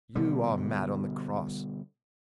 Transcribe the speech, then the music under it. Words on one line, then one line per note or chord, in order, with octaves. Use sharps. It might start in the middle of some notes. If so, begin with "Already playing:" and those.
You are mad on the cross.
B2 D3 G3